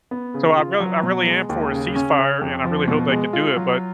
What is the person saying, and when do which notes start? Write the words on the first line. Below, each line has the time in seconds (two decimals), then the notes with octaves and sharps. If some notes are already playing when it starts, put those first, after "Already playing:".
So I real I really am for a ceasefire, and I really hope they can do it. But,
0.11 B3
0.34 C#3
0.58 F4
0.80 F#3
1.03 B2
1.27 G#3
1.50 D#2
1.73 C#3
1.96 C#4
2.18 C#3
2.41 F2
2.64 F3
2.88 B2
3.10 G#3
3.33 F4
3.57 F#3